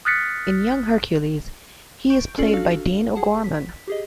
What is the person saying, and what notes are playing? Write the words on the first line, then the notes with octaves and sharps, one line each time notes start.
In "Young Hercules", he is played by Dean O'Gorman.
D#6 F6 F#6 A6 B6 C#7
C#6 G6 D7
C#4 F4 A4 D5 C7 F#7
D4 F#4 A4 F5 F6
G#4 F#5 A5
B6
G4 G#4 D#5